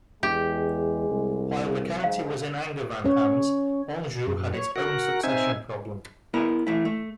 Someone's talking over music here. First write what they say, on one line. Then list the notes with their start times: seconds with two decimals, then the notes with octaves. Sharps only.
While the county was in Angevin hands, Anjou had its own succession problem.
0.23 E2 G#3 G4
1.10 C2
2.04 G#2 F5
3.05 C#4 C#5
4.27 F#2
4.54 C#5
4.76 F#4 A#4 F#5
5.23 C4 D#4 E5 G#5
6.34 B3 E4 A#4 B4
6.67 E3 A3 E4
6.85 A3